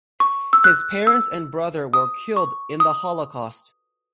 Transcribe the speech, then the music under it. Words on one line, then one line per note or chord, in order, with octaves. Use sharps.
His parents and brother were killed in the Holocaust.
C#6
E6
F#6
E6
D#6
C#6
D#6